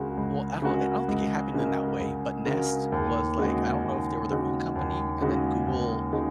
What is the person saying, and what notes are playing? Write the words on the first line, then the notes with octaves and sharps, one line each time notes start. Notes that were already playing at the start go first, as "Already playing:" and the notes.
well, I don't I don't think it happened in that way, but Nest was like, I don't know if they were their own company and then Google
Already playing: C#2 C#3 G#3 F#4 A#4
C#2
C#3 G#3 F#4 A#4
C#2
C#3 G#3 F#4 A#4
C#2
C#3 G#3 F#4 A#4
D#2
C#3 G#3 D#4 F#4
D#2
C#3 G#3 D#4 F#4
D#2
C#3 G#3 D#4 F#4
D#2
C#3 G#3 D#4 F#4